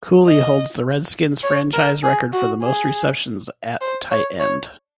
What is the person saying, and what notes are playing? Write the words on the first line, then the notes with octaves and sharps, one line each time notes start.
Cooley holds the Redskins' franchise record for most receptions at tight end.
D#5
C#5
A#4
G#4
F#4
G#4
C5
C#5
C#5